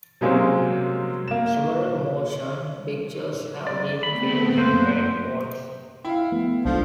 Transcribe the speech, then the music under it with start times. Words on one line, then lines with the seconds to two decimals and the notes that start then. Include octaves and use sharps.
Several motion pictures have been filmed in Great Falls.
0.21 C3 F#3 G#3 A#3 C4 C#4
1.28 A#3 E7
3.67 D5
4.03 A3 B3 C4 B5
4.58 F#2 A#3 B4 C5
6.05 E4 F5 G5
6.32 F3 A3 B3
6.65 C2 F3 G#3 D4 F4 A4